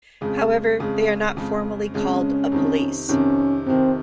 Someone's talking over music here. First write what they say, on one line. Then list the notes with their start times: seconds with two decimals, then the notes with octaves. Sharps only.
However, they are not formally called a "police".
0.21 F2 C#3 G#3
0.79 F2 C#3 G#3
1.37 F2 C#3 G#3
1.94 F2 C#3 G#3 C#4
2.52 F2 C3 D#3
3.09 F2 C3 D#3 C#4
3.66 F2 C3 D#3 C4